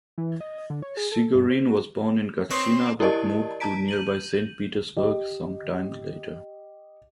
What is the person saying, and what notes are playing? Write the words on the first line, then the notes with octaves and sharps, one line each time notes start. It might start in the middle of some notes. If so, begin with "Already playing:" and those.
Chigorin was born in Gatchina but moved to nearby Saint Petersburg some time later.
E3
D#5
D#5
D3
C#5
G#4
A4
G2
C5
F#4
C4 D#4 B4 C#5 C6
E4 G4 A#4 D5 D#5 A5
A5 A#5 B6 D7
G6 D#7 F#7
G4 D#5